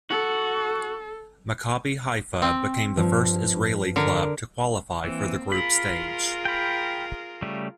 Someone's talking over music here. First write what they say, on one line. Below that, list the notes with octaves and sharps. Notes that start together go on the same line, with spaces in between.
Maccabi Haifa became the first Israeli club to qualify for the group stage.
F#4 A4
C4
G2 F3
D3 A#4
E3 A#3 C4
F4 G#4 A#4 B5
G5 B5
C#3 G3 A3